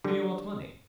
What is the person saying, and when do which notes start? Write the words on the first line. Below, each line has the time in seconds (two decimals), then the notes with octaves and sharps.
Do you want money?
0.04 D3 G3